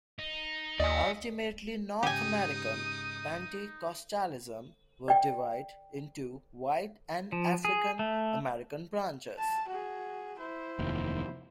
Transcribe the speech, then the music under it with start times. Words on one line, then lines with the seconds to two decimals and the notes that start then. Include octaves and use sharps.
Ultimately, North American Pentecostalism would divide into white and African-American branches.
0.19 D#4
0.80 D#2 D5 D#5 G#5
2.03 G#2 C#3 D#4 G4 G#5 D#6
5.08 D5 G5
7.32 F3
7.65 G#4
7.99 A3
9.38 A5
9.69 F#4 G#4
10.39 E4 C5
10.79 F1 D#2